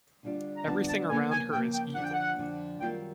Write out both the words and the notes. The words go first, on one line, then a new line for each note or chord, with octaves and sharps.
Everything around her is evil.
D3 G3 B3 D4 F4
A#5
D3 G3 B3 D4 F4 A5
A5
C#3 F3 A#3 G#5
G#5
C#3 F3 A#3 G5
G5
F2 D3 F3 F#5
G5
F#5
F2 D3 F3
F#2 D#3 G3 C4 F4 G5